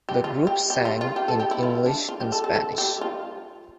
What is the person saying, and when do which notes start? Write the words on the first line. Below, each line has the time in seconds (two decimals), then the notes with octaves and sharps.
The group sang in English and Spanish.
0.09 G4
0.24 F4
0.47 G4
0.70 G4
0.85 F4
1.01 F4
1.16 G4
1.28 A4
1.40 G4
1.51 E4
1.63 F4
1.86 D4
2.09 F4
2.20 G4
2.32 A4
2.44 A4
2.55 A4
2.78 G4
3.01 F4